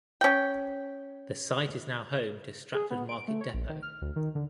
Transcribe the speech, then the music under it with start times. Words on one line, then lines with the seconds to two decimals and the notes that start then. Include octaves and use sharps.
The site is now home to Stratford Market Depot.
0.21 C#4 G5
2.74 G#4
2.90 B3
3.09 D7
3.28 A3
3.41 C#5
3.54 A#1
3.69 D#3
3.82 F6
4.01 D2
4.16 D#3
4.35 D3